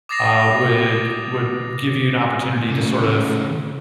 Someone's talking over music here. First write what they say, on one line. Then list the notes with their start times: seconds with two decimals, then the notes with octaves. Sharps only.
uh, would would give you an opportunity to sort of
0.09 D6 D#6 A6 A#6 C7 F7
2.69 C#3 A3